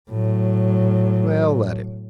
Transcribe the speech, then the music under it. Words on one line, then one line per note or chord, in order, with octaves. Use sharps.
"Well, let him."
A2 F#3